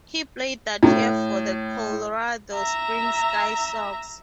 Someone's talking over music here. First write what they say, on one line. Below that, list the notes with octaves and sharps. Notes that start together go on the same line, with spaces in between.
He played that year for the Colorado Springs Sky Sox.
A2
E5 A#5